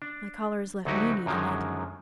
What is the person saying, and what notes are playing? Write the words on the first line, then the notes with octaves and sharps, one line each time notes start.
My caller has left me needing it.
D4
D2 D3 F#3 D#4 F#4 G4
F#2 D3 D#3 F3 F#3 G#3